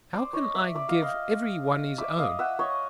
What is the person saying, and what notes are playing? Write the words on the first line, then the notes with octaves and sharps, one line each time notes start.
How can I give every one his own!
C5 D5
C#5 D#5
D5 E5
D5 E5
D#5 F5
D#5 F5
D5 E5
D#5 F5
E5 F#5
C#5 D#5